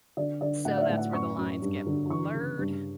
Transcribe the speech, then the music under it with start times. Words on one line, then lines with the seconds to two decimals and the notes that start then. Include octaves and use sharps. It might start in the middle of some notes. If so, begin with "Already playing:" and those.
so that's where the lines get blurred.
0.17 D3 D5
0.41 D3 D5
0.65 A2 F#5
0.77 D5
0.81 E5
0.90 A2
0.97 F#5
1.13 F#2 C#6
1.37 F#2
1.62 G2
1.86 D3
2.10 E3 C#6
2.34 C#3
2.59 G2